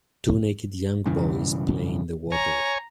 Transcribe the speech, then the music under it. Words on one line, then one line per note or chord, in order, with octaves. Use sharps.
Two naked young boys play in the water.
B1 G2 C#3 E3
C#5 G#5 A#5